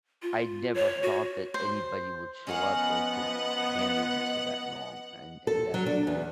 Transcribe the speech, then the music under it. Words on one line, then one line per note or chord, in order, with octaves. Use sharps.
I never thought that anybody would show up that could handle me for that long and and that's
F4
C#5
F#4
C5
F3 B3 C#4 A#4 D#5 F5 F#5
A4
F#3
D4
E2